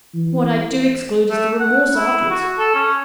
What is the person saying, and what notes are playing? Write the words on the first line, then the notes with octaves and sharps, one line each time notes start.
What I do exclude is the remorse afterwards.
E3
A3
F#5
E4
F#4
A4
C#4